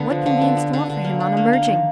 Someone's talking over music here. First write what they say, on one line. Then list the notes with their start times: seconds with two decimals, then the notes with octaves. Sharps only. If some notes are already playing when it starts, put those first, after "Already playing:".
What can be in store for him on emerging?
Already playing: D3 B3
0.10 F3
0.26 D3
0.41 B3
0.57 B3
0.73 D3
0.90 D3
1.04 A#3
1.20 D4
1.37 A#3
1.53 A#3
1.68 D#3